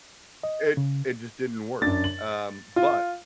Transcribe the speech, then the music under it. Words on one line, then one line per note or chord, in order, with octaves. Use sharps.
It it just didn't work. Um, but
D#5
C#3
F#2 D4 A6
F#7
F4